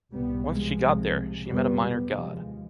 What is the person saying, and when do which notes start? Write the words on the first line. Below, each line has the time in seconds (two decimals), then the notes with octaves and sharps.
Once she got there, she met a minor god.
0.12 C2 B2 G3 B3
0.46 F3 G#3
0.80 C2 C3
1.47 F2 C3 G3 B3
1.80 G3 B3
2.15 D#2 F3 G#3